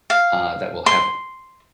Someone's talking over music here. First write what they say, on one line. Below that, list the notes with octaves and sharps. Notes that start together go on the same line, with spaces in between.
uh, that will have c
F5
C6